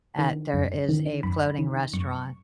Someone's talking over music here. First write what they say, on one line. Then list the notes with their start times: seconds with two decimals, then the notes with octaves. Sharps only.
at there is a floating restaurant
0.19 D#3
0.53 F#2
0.89 D#3
1.23 F#2 B5
1.59 D#3
1.93 F#2 C#6